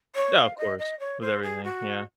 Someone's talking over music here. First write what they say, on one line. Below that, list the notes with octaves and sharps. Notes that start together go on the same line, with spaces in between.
Yeah of course, with everything. Yeah.
C#5
F5
D#5
D#5
C#5
C5
G#4
F#4